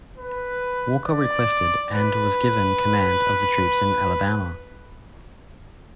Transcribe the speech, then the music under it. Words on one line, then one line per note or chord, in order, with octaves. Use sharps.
Walker requested, and was given, command of the troops in Alabama.
B4
D5
B4